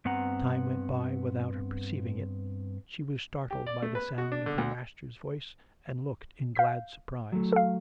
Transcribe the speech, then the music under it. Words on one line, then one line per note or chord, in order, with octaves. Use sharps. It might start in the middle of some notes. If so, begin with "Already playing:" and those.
Time went by without her perceiving it; she was startled by the sound of her master's voice and looked in glad surprise.
G2 B3 C4 F#5 A#5
G4
D5
A3
B4
F#4
D4
D3
D2
F5 G6 B6
F#3 A3
A4 F5